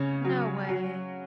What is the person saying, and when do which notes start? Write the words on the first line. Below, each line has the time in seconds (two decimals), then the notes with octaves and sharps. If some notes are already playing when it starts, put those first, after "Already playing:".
No way.
Already playing: C#3 C#4
0.25 F#3
0.69 F#3